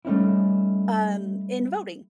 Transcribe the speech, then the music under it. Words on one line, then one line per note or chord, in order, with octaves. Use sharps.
um, in voting.
G3 A3 C#4 D#4 E4